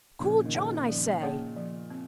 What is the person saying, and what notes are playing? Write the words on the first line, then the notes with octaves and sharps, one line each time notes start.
Call John, I say!'
A#2 C#3 F3
D#3
A#2 C#3 A#3 C#4 G#4 C#5
F3
A#3 C#4 G#4 C#5
F3
C4